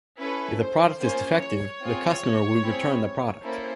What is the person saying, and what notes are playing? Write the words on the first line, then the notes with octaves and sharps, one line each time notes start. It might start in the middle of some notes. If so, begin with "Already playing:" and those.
If the product is defective, the customer would return the product.
C#4 E4 A4 B4
C5
A#3 C#4 F4 G#4 C5
C#5
C4 F4 G#4
C4 E4 G#4
A#3 C#4 E4 A4 C5